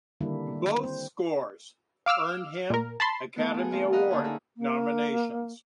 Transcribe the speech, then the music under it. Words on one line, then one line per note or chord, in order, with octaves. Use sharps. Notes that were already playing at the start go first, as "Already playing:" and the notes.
Both scores earned him Academy Award nominations.
D3 D#3 G3 A#3 D4 E4
C4 C5
F5 D6 E6 F6
A#2 A#4
A5 B5 C6
F3 A3 B3
B3 G#4
D#3 F3 A3 C4
A#4 D#5 F5 F#5 B5
D3 A#3 C#4 G#4
D#4 G#4 E5
A#3